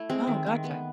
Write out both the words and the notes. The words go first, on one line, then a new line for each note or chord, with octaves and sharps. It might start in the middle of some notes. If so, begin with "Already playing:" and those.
Oh, gotcha.
Already playing: A3 E4
G#3 C4
D#3
D#3
B3